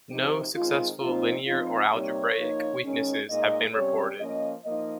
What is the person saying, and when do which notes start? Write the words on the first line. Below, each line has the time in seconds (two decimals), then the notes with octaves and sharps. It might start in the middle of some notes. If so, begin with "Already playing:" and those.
No successful linear or algebraic weaknesses have been reported.
0.10 C3 F3 C4 D#4 G4
0.55 D#3 G#3 C4 F4
1.00 A#2 F3 C4 D#4 F4
1.46 F3 C4 D#4 F4
1.92 C3 G3 A#3 D#4 C#5
2.37 F3 A#3 D#4
2.83 D#3 G#3 C#4
3.29 A#2 G#3 D#4 D#5
3.73 C3 G3 C#4 C#5
4.19 F3 A#3 C#4 D#5
4.64 F3 A#3 D#4 D#5